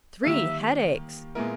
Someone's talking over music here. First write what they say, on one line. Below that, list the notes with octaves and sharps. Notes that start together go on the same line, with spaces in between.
"Three headaches!"
D#3 G3 A#3 E5
A#2 G#3 B3 E4 A#4